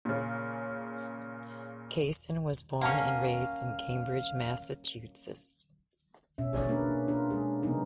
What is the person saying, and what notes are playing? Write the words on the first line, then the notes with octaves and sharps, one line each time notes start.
Kaysen was born and raised in Cambridge, Massachusetts.
A#2 C#3
A#3 C#4 F5 F#5 A5
B2 C#4 E5
G#4 C#5 D5
A#3 D4 A#4 B4
D4 F4 A#4
G#3 G#4
C3 F#3 B3 D#4 A#4